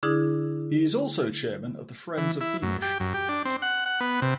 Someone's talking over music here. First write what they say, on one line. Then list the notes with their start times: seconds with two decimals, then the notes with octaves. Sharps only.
He is also chairman of the Friends of Beamish.
0.03 D3 D4 E4 G#4 D#6
2.18 E3
2.41 E4
2.62 F#2
2.82 G4
3.00 F#2
3.14 G4
3.29 D4
3.45 C4
3.62 F#5
3.86 F#5
4.00 B3
4.22 C3